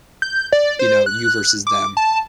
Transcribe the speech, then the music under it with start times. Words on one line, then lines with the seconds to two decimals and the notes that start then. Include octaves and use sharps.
you know, you versus them,
0.22 G6
0.52 D5
0.79 C5
1.06 F#6
1.67 D6
1.97 A5